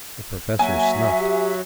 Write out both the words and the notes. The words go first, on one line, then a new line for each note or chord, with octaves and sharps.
The Professor snuffed.
F#3 A#3 E5 G#5
G4